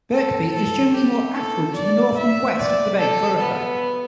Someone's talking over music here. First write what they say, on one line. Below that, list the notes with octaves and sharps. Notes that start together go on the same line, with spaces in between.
Birkby is generally more affluent to the north and west of the main thoroughfare.
A4
A4
G4
A4
D5
E5
D5
A4
B3